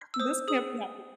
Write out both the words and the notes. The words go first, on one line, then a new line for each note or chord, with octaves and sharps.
"This can't be happening."
E6
C5 D#6
G#4 D#6